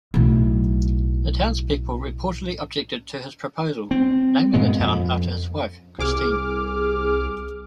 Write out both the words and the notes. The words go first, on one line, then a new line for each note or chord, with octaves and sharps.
The townspeople reportedly objected to his proposal, naming the town after his wife, Kristine.
B1 A2
C4
G2 A#2 G#3 B3
F2
C2 G#4 D6 F6